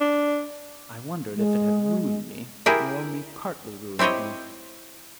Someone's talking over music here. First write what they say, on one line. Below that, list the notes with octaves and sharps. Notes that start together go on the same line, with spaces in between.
I wondered if it had ruined me or only partly ruined me.
D4
G#3
E4 G4 G#4 A#4
C4 E4 G4 C#5 D#5